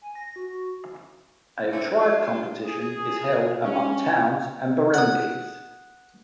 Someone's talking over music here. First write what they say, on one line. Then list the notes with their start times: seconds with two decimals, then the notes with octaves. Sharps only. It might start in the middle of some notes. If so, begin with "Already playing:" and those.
A tribe competition is held among towns and barangays.
0.02 G#5
0.15 A#6
0.36 F#4
1.72 D3 E3 A3 C4 C#4
1.98 G3 G#3 D4 F4 F#4
2.64 G#4
3.63 C#4
4.94 F#5 D#6